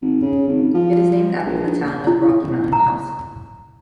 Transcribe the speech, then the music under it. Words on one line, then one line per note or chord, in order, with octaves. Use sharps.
It is named after the town of Rocky Mountain House.
G#1
C#3
G#1
F3
A#1
E4
A#5